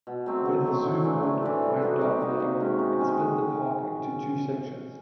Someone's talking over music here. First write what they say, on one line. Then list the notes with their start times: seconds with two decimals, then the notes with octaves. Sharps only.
When the zoo bought Wyandot Lake, it split the park into two sections.
0.07 B2
0.26 F#3 A3 C4
0.45 B2
0.65 F#3 A3 C4
0.85 A2
1.04 E3 A3 D4
1.23 A2
1.43 E3 A3 D4
1.63 G3
1.82 A#3 D#4 F#4
2.01 G3
2.21 A#3 D#4 F#4
2.40 C3
2.60 D#3 G#3 C#4
2.79 C3
2.99 D#3 G#3 C#4